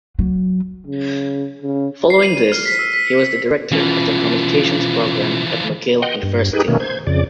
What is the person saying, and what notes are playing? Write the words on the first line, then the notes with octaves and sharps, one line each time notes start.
Following this, he was the director of the communications program at Mcgill University.
F#3
C#3
C#3
C7
D#7
D#7
F6
B6
E6
B6
C#7
B6
B2 E3 F3 C#4 F4
D#5 F#5 G5 C6
G2
D#4 G4 G#4 B4
B2 D#3 A3 A#3 C#4
C5 G#6
F2 C#3 D5